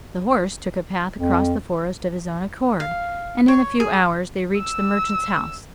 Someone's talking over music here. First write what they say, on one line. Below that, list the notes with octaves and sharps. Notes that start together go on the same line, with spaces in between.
The horse took a path across the forest of his own accord, and in a few hours they reached the merchant's house.
F2
F5
C#5
G#4
E6